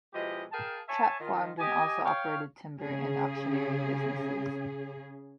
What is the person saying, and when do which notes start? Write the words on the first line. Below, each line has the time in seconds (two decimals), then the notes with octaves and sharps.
Trapp farmed and also operated timber and auctioneering businesses.
0.14 B2 F3 G#3 E4 G4 D#5
0.52 G#4 A#4 F5 G5 A5
0.89 C#5 E5 G#5 A5
1.20 D#3 F4
1.59 G4 D#5 G#5
2.05 C#5 F5 G5
2.82 C#3 C#4 G#4